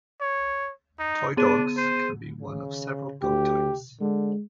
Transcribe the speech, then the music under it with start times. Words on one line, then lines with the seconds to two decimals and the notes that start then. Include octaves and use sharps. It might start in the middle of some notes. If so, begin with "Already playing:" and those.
"Toy dogs" can be one of several dog types.
0.21 C#5
0.99 D#4
1.37 B3 D4 G#4 D#7
1.76 C5
2.41 C#3
3.22 D2 G4
4.00 D3 G#3